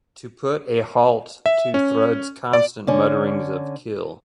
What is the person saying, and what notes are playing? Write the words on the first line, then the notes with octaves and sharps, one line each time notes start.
To put a halt to Thrud's constant mutterings of, Kill!
E5
C#4
D5
D3 C#4